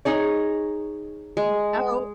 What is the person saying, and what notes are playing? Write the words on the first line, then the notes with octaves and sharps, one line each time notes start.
Mhm. Oh
D#4 G#4 C#5
G#3